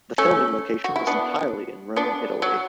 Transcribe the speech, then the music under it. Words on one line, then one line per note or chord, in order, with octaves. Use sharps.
The filming location was entirely in Rome, Italy.
A3 C#4
F#4
E4
B3 D4
B3 D4
F#3